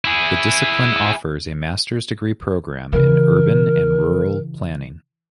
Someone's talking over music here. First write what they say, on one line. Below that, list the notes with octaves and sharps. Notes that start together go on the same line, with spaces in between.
The discipline offers a master's degree programme in urban and rural planning.
E4 G#4
C#3 E3 A#4